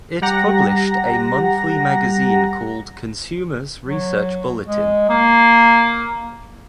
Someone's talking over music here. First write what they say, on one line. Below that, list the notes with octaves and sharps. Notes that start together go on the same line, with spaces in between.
It published a monthly magazine called "Consumers' Research Bulletin".
G3 G4 F#5 A#5 A#6
F#3
G#3
A#3